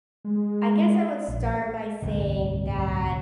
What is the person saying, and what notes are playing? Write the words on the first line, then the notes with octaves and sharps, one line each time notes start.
I guess I would start by saying that
G#3
A#1
D1 G1 C2 F2